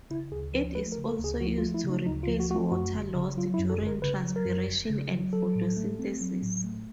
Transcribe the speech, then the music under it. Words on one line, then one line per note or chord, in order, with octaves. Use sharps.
It is also used to replace water lost during transpiration and photosynthesis.
C#3 E4
D2 G#4
F3 B4
A3 B4
A#4
C#3
A4
D2
G#4
F3 F#4
F4
A3
E4
C#3
D#4
D2 D#4
F4
F3
F#4
A3 F4 F#4
F#2 F#4
G1
C#3
F#3 F4
E4
F#2
A4
G1
A#4
C#3 B4
F#3
A#4
F#2
G1
C#3
F#3
F#3 A4
A2
A3
C4
F#3
A2
A3